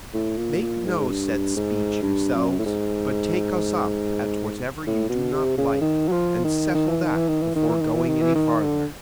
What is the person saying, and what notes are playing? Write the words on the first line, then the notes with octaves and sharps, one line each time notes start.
Make no set speech yourselves, but take us up at whatever you do not like, and settle that before going any farther.
A2
A#2
A#2
G#2
G2
G#2
G2
F#2
A2
G#2
A2
B2
C3
C#3
D#3
F#3
F3
D#3
D#3
E3
D#3
E3
D#3
E3
D#3
E3
D#3
E3
D#3
E3
D#3
D3